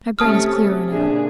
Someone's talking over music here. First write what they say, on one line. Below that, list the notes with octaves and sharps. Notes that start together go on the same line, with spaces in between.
My brain is clearer now.
C3 A3 C#4 A4 A5 D#6 F6
A#2 C#3 D4 G#4